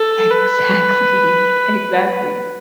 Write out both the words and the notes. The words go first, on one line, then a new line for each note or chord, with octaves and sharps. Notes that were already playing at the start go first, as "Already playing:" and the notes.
Exactly. Exactly.
Already playing: A4
B4